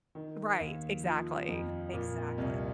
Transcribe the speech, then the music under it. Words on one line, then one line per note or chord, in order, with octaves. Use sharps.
Right. Exactly. Exactly.
D#3
D#2
F3
F2
A#2
C2